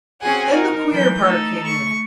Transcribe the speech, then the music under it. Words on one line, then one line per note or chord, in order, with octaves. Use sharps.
Then the queer part came in.
C4 C#4 F#4 G#4 F#5 G#5
D#4 A#4
E3 F#3 G6
A3 D#4 A4
A3 C#6